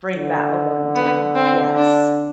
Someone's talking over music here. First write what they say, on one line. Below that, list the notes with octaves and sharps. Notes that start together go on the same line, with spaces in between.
bring that alone time. Yes.
D3
B3
C4
D4